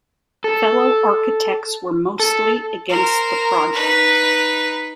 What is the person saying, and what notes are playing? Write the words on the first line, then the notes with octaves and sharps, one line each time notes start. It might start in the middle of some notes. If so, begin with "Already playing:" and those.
Fellow architects were mostly against the project.
A4
A4
A#4 C5
D#4 B4